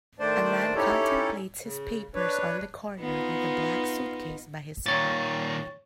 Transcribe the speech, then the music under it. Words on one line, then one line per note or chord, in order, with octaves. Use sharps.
A man contemplates his papers on the corner with a black suitcase by his side.
D#3 A3 D4 C5 D5
C#4 D#4 E4 G4 A4 C#5
C#3
D4 B4 C#5
B3 D#4 F4
A#2 D#3 C#5 A6